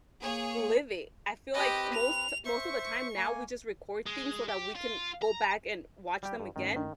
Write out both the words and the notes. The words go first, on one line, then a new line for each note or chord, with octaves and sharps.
live it. I feel like most t most of the time now we just record things so that we can go back and watch them again.
A#3 G#4 C#5
C4 G4 B4 D#5
F7
C5 E5 C#6
A#3 G#5
G#3
G4
F4
A#5
G3 G4
G2
G2 D#3 A3 C#4
D#3